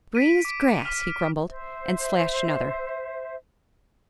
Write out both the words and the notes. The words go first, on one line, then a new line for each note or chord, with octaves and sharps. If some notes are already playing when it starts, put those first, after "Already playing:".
"Green's grass!" he grumbled, and slashed another.
B6 D7 D#7
D6 D7
F6 B6 D#7
C5 E5